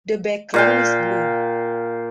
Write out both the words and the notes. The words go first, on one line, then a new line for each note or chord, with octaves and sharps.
The background is blue.
A#2 F5 G5